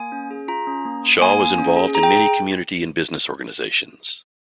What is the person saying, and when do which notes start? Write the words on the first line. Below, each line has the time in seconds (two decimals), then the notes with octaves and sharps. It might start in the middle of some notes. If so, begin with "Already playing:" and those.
Shaw was involved in many community and business organizations.
Already playing: A#3 G#5
0.12 C#4
0.31 G#4
0.48 F4 A#5
0.67 C#4
0.85 A#3
1.04 A#3
1.22 A#3 G#5
1.40 A#3
1.58 C#4
1.76 G#4
1.95 G#4 A#5
2.03 G5